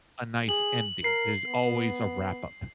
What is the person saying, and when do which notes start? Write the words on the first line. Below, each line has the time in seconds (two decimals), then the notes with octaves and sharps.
a nice ending, there's always a wrap-up,
0.49 G#4 F#7
1.04 A#4 C7
1.46 B3